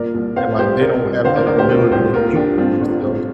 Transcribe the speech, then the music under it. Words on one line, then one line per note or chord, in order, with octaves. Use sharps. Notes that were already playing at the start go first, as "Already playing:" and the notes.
and, like, they don't have that ability to think for themselves
Already playing: G1 A#2 A#4 D5
C2
C3 C5 F5
C2 G4 C5
C3 A#4 D5
C2
D3 C5 F5
A#4 D5
D2 A#4 D5
G4 C5
C3 F4 A#4
C2 G4 C5
A#2 F4 A#4
A#1 D4 G4
G2 C4 F4
G1
C3